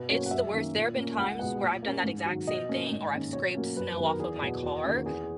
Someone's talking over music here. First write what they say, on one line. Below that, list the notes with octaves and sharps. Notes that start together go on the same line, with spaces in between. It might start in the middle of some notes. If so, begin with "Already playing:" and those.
It's the worst. There have been times where I've done that exact same thing, or I've scraped snow off of my car,
Already playing: B2 B4
F#3 A#3 C#4 C#5
F#5
F#2 E5
D#3 A#3 C#4
A#2
A#3 C#4
C#2 F#5
B2 G#3 B3 F#5
A#2
A#3 C#4
G#2
D#3 F#3
B2 D#5
A#3 C#4
G#2
D#3 A#3 C#4
B2 C#5
F#3 A#3 C#4
F#2 B4
B4
D#3 F#3 B3
A#4
E2 G#4
B2 F#3 B3
E2 F#4
D#3 A#3 C#4
E2 G#4